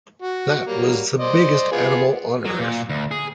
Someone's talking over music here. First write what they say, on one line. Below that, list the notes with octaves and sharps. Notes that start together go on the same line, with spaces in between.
That was the biggest animal on earth.
F#4
F#3 G3 A#3
C5 D5 D#5
B3 F4 G#4
F#3
A#2
D2
G#4